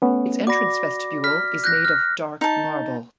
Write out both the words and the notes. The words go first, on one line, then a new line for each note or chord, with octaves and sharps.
Its entrance vestibule is made of dark marble.
A3 B3 C#4
F#4 D5 B5 D6 A#6
F6 B6
F#6 G6 A#6
F6
D#4 A5